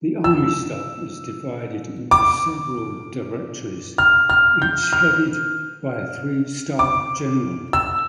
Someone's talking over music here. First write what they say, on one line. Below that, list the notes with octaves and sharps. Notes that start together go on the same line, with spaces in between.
The Army Staff is divided into several directorates, each headed by a three-star general.
E6
D6
F6
F6
G6
F6
D6
E6